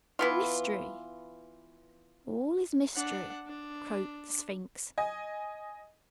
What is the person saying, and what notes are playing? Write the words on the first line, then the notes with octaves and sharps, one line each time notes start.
"Mystery, all is mystery," croaked the Sphinx.
E3 B3 F4
D4 F#5
D4
D#5 G#5